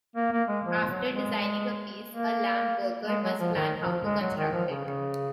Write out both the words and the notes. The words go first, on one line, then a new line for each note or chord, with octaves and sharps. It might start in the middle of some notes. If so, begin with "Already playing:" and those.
After designing a piece, a lampworker must plan how to construct it.
A#3
A#3
G#3
F3
F#3
G#3
A#3
G#3
F#3
F3
D#3
F3
G#3
F#3
D#3
F3
C#3
C#3